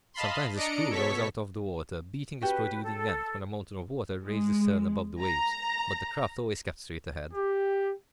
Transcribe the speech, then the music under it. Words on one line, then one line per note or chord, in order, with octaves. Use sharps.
Sometimes the screw rose out of the water, beating its protruding end, when a mountain of water raised the stern above the waves; but the craft always kept straight ahead.
D#5 F5 A5 B5 C6
D4 D5 D#5 A#5 C#7 D7
B2 A4 C#5 C#6 B6
C#4 F#4 G4 B4
A4
G#3
A#5
G4